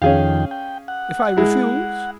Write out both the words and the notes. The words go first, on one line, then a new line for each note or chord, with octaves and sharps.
"If I refuse?"
F2 D#3 C#4 G#4 F5 G5
G5
F#5
G#3 E4